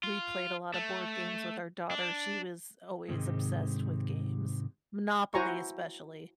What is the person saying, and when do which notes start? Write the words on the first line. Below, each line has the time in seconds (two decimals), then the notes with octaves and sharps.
we played a lotta board games with our daughter, she was always obsessed with games. Monopoly, especially.
0.03 F4
0.74 A3
1.91 D4
3.08 G#2 C3 D#3 G#3
5.34 E4 F#4 C5 G#5 A#5 C#6